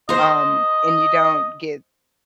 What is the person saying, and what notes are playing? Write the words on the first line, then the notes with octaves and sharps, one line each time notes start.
um, and you don't get
C5 D#5 A#5